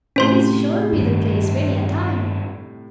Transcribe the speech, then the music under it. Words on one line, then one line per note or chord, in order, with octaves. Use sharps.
He's shown me the place many a time!
A2 C3 C#4 C5 C6
G2 D#3